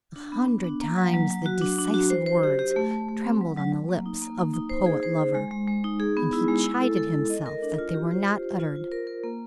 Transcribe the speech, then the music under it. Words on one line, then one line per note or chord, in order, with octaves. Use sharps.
A hundred times the decisive words trembled on the lips of the poet-lover, and he chided himself that they were not uttered.
D4
B3
B3
D4
A#3
F#3
F#3
F#3
F#4
D4
D4
F#4
C5
C5
G4
G4
A3
A3
A3
C4
F#3
F#3
F#3
A#3
D#4
A#3
A#3
D#4
C5
G#4
C5
G#4
G#3
G#3
G#3
D#4
G#4
B3
E4
G#3
E4
A4
A4
A4
D#5
A#4
D4
F4
G4
C5
G4
C5
F4
F4
A#4
A#4
A#3